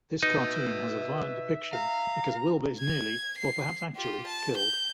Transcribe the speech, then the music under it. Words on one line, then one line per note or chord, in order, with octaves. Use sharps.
This cartoon has a violent depiction because Wilbur is nearly, or perhaps actually, killed.
D#4 B4 D#5 E5
F5 A#5
G#6
C7
F4 G4
A5
G6